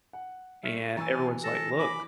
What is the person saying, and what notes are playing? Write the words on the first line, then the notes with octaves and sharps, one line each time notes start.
and everyone's like, "Look,
F#5
A3 E5 F6 B6
E3 G#5 A#5 C#6 E6 A6
A4 A5 A#6
G#5 B5 D6